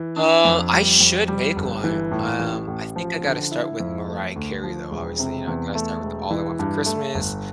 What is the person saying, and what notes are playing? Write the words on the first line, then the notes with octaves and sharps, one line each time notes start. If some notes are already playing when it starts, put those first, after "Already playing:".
Uh, I should make one. Um, I think I gotta start with Mariah Carey, though, obviously, you know, gotta start with All I Want for Christmas,
Already playing: E3
D4
F2
G3
F2
G3
G1
E3
A2
A1
A1
F3
D3
E4
F2
A3
D2
F3
E1
C3
E2
A3
E1
E3
G2
A3
G1